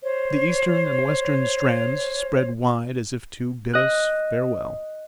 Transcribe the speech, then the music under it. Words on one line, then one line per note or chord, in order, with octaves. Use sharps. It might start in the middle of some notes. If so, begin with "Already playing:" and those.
The eastern and western strands spread wide as if to bid us farewell.
C5 C#5
D#5 F#6